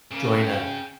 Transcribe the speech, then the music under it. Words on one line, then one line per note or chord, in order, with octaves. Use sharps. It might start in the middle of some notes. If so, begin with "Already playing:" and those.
join a
C#3 A#3 C#4
G5